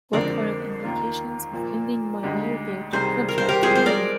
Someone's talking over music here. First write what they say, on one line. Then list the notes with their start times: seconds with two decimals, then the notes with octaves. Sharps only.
What are the implications of ending my mortgage contract early?
0.13 F2 D3 G#3 C4 A#4 D5
0.83 D#2 D#3 A#3 F4
1.53 A#2 F3 A#3
2.23 D2 D3 G#3 D#4 G4
2.93 C2 C3 D#3 G3 G#4 C5
3.29 A#4
3.38 C5
3.49 G4 A#4
3.63 G2 F3 G#3 C4 G#4 C5
3.75 C5
3.86 A#4 D5